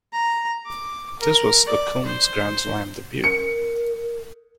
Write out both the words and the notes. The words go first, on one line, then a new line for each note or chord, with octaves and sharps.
This was Okun's grand slam debut.
A#5
D6
A#4
D5
C5
A#4 C#7